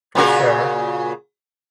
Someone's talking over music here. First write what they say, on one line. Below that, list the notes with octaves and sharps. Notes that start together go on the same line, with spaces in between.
For sure.
A#2 C#3 F#4